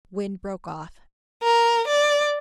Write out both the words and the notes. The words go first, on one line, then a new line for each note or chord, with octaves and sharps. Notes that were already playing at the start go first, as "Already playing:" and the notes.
Wind broke off.
A#4
D5